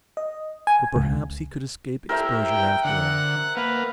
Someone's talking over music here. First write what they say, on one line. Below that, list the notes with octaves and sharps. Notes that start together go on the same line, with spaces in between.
But perhaps he could escape exposure after all.
D#5
G#5
C#2
E4 G4 A#4 C5 E5
G5
D3 F#5
A#3 B4 F5 F#5